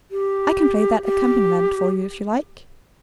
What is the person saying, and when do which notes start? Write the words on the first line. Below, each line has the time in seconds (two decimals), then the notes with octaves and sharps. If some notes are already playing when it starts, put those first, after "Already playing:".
I can play that accompaniment for you if you like.
0.11 G4
1.05 G4